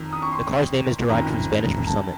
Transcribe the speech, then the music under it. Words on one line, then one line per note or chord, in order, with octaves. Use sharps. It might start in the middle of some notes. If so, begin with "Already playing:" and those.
The car's name is derived from Spanish for "summit".
Already playing: F2 D#3 A#5
D#6
C#6
C6
F#1 F2 D#3 A#5
A5